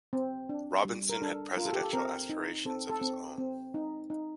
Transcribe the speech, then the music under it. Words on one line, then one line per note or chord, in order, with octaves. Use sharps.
Robinson had presidential aspirations of his own.
C4
D4
G3
A#4
D4 A4
F4 A#4
A4
G4
A4
C4 A#4
D#4
C4 A4
A4
C4
C4
D#4
D#4